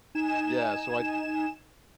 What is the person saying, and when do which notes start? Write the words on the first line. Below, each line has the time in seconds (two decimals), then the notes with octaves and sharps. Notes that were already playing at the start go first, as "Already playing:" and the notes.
yeah, so, I t
0.15 D#4 G#5 E7